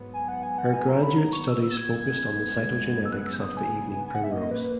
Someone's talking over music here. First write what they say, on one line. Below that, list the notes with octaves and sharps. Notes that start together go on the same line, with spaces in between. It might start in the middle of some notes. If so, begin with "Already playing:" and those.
Her graduate studies focused on the cytogenetics of the evening primrose.
Already playing: G#2 F#3 B3
G#5
F#5
G#5
F#5
G#5
A#5
B5
A#5
C#6
E6
E6
G#6
F#1 F#2 C#3 G#3 B3 G#6
E6
F#6
E6
D#6
G#5
G#5
F#5
E5
A#1 A#2 A#3 D#5
B4